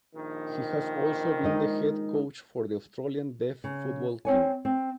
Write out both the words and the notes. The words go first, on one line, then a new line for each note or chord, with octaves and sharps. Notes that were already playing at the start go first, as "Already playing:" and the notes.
He has also been the Head Coach for the Australian Deaf Football team.
A#1 D#3
G#3 D#4 D#5
C#3
C4 C#5 G#5
C4